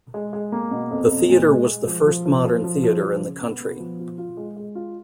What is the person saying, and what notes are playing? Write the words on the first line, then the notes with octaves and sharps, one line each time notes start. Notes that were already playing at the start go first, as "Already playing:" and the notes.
The theater was the first modern theater in the country.
G#3
G#3
A#3
B2
F2
F2
A#2
G#3
G#3
F3
F3
F3
F3
F3
F3
F3
C#3
B3
B3
F3
F4
F4
G#3
G#3
F4